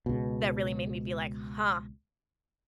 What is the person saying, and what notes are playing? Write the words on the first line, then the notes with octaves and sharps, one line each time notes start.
that really made me be like, "Huh,
C#2 B2